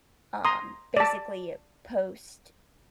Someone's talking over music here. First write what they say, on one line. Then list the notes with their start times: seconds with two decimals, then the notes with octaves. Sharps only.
uh, basically post,
0.45 A#5 C6 D#6
0.97 D5 A5